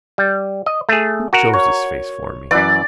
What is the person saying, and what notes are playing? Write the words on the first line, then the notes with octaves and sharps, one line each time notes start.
Who chose this face for me?
G3
D#5
A3 G#4
F#4 A#4 F#5
C#5
F#2 E3 D5